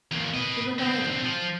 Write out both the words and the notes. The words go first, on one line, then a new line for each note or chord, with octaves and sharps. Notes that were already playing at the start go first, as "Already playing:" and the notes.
They were neither.
E2 A#3
B4 D#5
D3 C4
F3